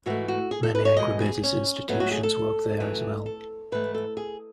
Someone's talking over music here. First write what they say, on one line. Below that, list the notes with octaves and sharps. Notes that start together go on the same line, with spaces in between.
Many agribusiness institutions work there as well.
G#2 E3 A3 F#4
F#4
G#4
A4
B4
C#5
E2 B2 G#3 D#5
G#4
C#4
G#2 F#3 A3 B3
F#4
G#4
A4
F#2 E3 A3
A4
G#2 E3 A3 B4
A4
G#4